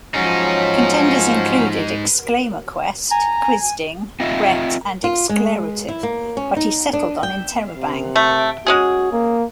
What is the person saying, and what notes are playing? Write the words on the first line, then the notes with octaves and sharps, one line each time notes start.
Contenders included "exclamaquest", "QuizDing", "rhet", and "exclarotive", but he settled on "interrobang".
G#2 F3 F#3 C#4 D#4
G#5 A#5
C4 F4 D#5 E5
F4
G#3
E4
A#3
C#4
D#4
D4
G5
C3
A3
G#3 C#4 F#4 G#4
A#3